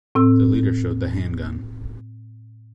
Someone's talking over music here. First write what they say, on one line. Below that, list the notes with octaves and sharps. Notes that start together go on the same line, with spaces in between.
The leader showed the handgun.
A2 C4 E6